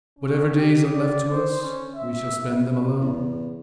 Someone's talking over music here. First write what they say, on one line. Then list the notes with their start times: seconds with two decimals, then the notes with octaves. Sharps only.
Whatever days are left to us, we shall spend them alone.
0.19 C#4
0.56 G4
0.95 D5
1.32 C5
1.62 C#4
1.95 E5
3.01 E2